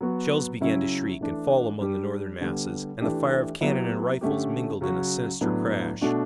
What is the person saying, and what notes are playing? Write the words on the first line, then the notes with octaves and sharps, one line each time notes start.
Shells began to shriek and fall among the Northern masses, and the fire of cannon and rifles mingled in a sinister crash.
F#3 B3 F#4
C#3 F#3 C#4 E4
E3 A3 D4
G3 D4 G4
D3 G3 B3
E3 A3 D4 G4
F#3 B3 E4 G4
D3 A3 C#4 G4
C#3 F#3 C#4 F#4
A2 F#3 B3 D4
B2 A3 D4 F#4